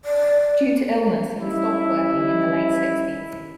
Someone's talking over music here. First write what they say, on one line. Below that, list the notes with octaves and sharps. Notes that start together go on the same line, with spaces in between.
Due to illness, he stopped working in the late sixties.
D5
G3 C#4 D#4 E4